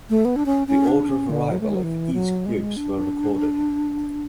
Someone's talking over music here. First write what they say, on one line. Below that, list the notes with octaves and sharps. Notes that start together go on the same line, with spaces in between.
The order of arrival of each groups were recorded.
A3
B3
D4
C#4
C#4
D4
C#4
D3
F#3
A3
G#3
F#3
E3
F#3
G#3
D4